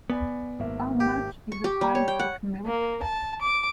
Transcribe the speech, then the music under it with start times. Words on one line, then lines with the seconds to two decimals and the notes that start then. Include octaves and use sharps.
How Much Is A Pint Of Milk?
0.10 B3 D5 G#5 B5
0.59 G#1 A#3 E5
1.00 G4
1.52 C#6
1.64 G4
1.81 G3
1.95 C#5
2.08 G5
2.19 F#5
2.65 A#3
3.02 A5
3.41 D6